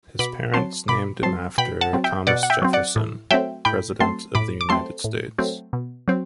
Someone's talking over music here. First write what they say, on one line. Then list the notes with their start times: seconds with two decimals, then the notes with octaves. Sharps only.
His parents named him after Thomas Jefferson, President of the United States.
0.19 B2 B5 D6
0.54 F#3 C4 A5 C6
0.88 B2 B5 D6
1.23 F#3 C4 A5 C6
1.58 B2 G5 B5
1.81 F#5 A5
1.93 F#3 C4
2.04 E5 G5
2.27 B2 D5 F#5
2.43 F#5
2.50 E5 G5
2.62 F#3 C4
2.73 D5 F#5
2.96 A2
3.31 F#3 A3 C4 E5 G5
3.65 A2 G5 B5
4.00 F#3 A3 C4 A5 C6
4.35 A2 B5 D6
4.61 D6
4.69 F#3 A3 C4 A5 C6
5.04 A2
5.38 F#3 A3 C4
5.73 B2
6.08 F#3 C4